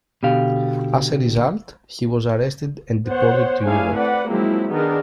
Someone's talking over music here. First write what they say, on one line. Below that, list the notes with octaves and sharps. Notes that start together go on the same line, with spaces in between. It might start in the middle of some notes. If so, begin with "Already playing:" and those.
As a result, he was arrested and deported to Europe.
B2 D3 G4 F5
B3 C5 C#5 F#5
A3 D4 E4 G#4 F5 G#5
C4 B4 D5 F#5
F3 F#3 G#3 A#3 C4 E4
D#3 B3 D4 D#4 G#4 A#4